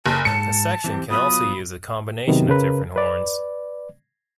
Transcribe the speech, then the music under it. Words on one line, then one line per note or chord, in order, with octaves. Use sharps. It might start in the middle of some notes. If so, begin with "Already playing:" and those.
The section can also use a combination of different horns.
F#1 A5
G#2 A5 C#7
E3 C4 G4
F#3 B3 F4 B5 D#6
C3 D#3 F#3 B3
C#3 A#4 B4
B4 D5